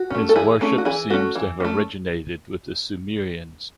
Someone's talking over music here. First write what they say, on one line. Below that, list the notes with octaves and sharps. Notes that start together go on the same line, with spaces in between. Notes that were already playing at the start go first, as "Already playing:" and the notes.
His worship seems to have originated with the Sumerians.
Already playing: F#4
A3 C#4
A4
E3 E4 G#4
A3 C#4
F#4
E3 E4 G#4
A3 C#4 F#4
E3
A3 C#4